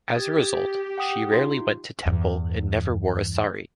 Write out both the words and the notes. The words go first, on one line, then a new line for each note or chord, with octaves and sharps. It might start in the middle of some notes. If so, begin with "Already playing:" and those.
As a result, she rarely went to temple and never wore a sari.
G4 D#6 G#6 A6
F#5 G5 D#6
D#4 F4 C6
E2 G2